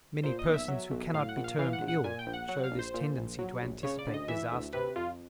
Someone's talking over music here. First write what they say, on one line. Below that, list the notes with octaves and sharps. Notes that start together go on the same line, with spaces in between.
Many persons who cannot be termed ill show this tendency to anticipate disaster.
A#2 C5
D#5
B1
E5
F#3
B1
A2 F5
F#5
A#1
F5
E3 F5
F#5
A#1
F#5
A#2 G#5
G5
A#1
F#5
F#3 F#5
F5
A#1
C5
A#2
A#1
F#3
A#1
C#3 C#5
D5
D2
D#5
E3 E5
D2
C3 B4
F2 F4